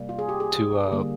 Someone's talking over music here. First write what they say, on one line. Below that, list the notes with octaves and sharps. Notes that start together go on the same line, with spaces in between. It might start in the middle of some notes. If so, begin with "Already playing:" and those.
to, uh,
Already playing: C3 G3 A#3
F4
G#4
G4
G#4
D3 G3 A#3